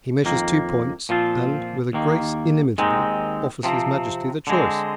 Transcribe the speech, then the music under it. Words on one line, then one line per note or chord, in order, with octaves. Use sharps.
He measures two points, and, with a grace inimitable, offers his Majesty the choice.
F2 D#3 A#3
A#2 F3 C4 F4
D#2 D#3 A#3
D#2 D#3 G#3 C4 D#4
C3 F3 C4
D3 G#3 C4